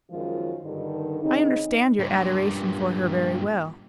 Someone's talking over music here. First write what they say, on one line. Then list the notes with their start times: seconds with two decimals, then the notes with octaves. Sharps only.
I understand your adoration for her very well.
0.10 F#2 D#3 F3 G#3 F4
0.62 G2 D3 D#3
1.22 C#3 C4 D#4
1.99 G2 A#2